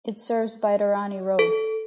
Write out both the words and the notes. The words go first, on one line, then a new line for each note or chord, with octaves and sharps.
It serves Baitarani Road.
A4